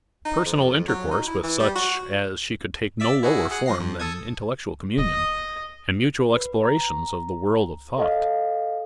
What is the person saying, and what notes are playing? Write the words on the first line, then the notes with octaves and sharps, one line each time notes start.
Personal intercourse with such as she could take no lower form than intellectual communion, and mutual explorations of the world of thought.
D#4
F2
F#3
D#4
E4
E3
G3
F#4
D5 E5 B6
E4 F#4 G#4
G#4 F#5
F3 A#6 C7
F2
A4 D#6 G#6
D#1 D#5
B4
A#5
A4 D#5 F5